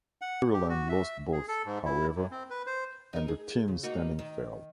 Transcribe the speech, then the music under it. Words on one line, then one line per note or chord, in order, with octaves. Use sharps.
Maryland lost both, however, and the team's standing fell.
F#5
G4
F#4
E5
G#4
A4
G#2
E4
F#2
C4
B4
C5
D#4 A#4
G#4
C#3
A#3 D#4 F#4
D#3